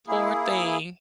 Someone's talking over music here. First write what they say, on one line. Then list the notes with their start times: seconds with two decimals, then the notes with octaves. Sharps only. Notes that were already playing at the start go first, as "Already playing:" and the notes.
Poor thing,
0.08 A#3 E4 G#4